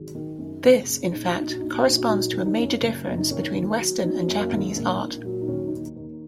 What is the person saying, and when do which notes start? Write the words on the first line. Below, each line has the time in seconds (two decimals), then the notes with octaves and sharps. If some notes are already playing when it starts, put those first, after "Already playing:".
This, in fact, corresponds to a major difference between Western and Japanese art.
Already playing: G#1 F#3 G#4
0.15 D#3
0.39 F#2
0.63 F#1
0.87 C#3
1.11 A#1 D#4
1.24 F#4
1.35 A#1 D#4
1.48 F#4
1.60 A#1 D#4
1.72 F#4
1.85 A#1 D#4
1.97 F#4
2.08 F#3 D#4
2.33 D#3
2.46 D#4
2.57 F#2 C#4
2.82 F#1
3.06 F#2
3.18 D#4
3.31 D#3 C#4
3.55 D#2
3.79 F#3
4.03 F#3 D#4
4.21 C#4
4.28 F#2
4.39 A#3
4.51 G#1
4.58 G#3
4.69 G#3
4.75 A#1 A#3
4.99 A#2
5.24 F#3
5.41 D#4
5.48 D#2 C#4
5.67 D#4
5.72 D#2
5.85 D#4
5.96 D#2